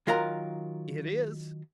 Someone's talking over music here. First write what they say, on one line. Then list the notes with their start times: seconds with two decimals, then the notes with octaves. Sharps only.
"It is."
0.07 D#3 F#3 F4 A#4 F#5 A#5